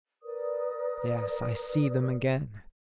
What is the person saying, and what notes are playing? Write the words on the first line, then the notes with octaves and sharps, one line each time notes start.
Yes; I see them again.
A#4 B4 D5 D#6